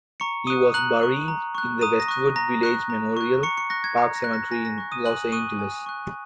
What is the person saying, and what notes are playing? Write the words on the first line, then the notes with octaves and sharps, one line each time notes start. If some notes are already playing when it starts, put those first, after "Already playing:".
He was buried in the Westwood Village Memorial Park Cemetery in Los Angeles.
A#5 C#6 C#7
C#6 D#6 F#6 D#7
A#5 F#6 F#7
C#6 F#6
A#5
C#6 F#6
A#5 D#6 D#7
A#6
C#6 F#6
A#5 A#6
C#6 F#6
A#5
C#6 F#6
A#5 C#6 C#7
C#6 C#7
C#6 F#6 A#6
G#6
A#5
A#6
C#6 F#6
A#6
G#5 A#6
A#6
C#6 F#6
D#6 D#7
G#5 F#6 F#7
C#6 D#6 F#6 D#7
G#5
C#6 F#6